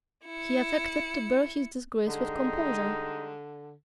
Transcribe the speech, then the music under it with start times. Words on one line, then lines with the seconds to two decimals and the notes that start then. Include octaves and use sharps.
He affected to bear his disgrace with composure.
0.24 E4 C#7
2.07 D3 G3 G#3 D#4